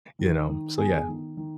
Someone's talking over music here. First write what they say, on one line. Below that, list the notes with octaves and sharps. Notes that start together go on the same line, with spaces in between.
you know? So yeah.
D#3
D#3
G1 G#4
D#3
D#3